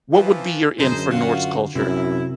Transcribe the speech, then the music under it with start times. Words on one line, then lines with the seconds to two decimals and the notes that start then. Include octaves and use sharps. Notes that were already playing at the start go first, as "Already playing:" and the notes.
what would be your in for Norse culture?
0.13 E3 F3
0.79 F#2 D3 D#4 G#4 C5
1.11 F4 F#4
1.75 F#2 C3 E4